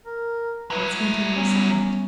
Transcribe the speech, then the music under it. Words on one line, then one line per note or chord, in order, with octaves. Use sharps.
Konstantin was silent.
A#4
F#3 E4 B4
A3
G3 B3 C#4